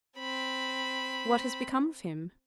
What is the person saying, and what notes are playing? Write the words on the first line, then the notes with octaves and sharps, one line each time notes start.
"What has become of him?"
C4 B5